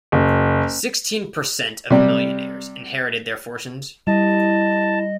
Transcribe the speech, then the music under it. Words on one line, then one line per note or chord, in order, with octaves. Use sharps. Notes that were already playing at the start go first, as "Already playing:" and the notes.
Sixteen percent of millionaires inherited their fortunes.
F#1
C3 G3
G3 E4 D#5 A5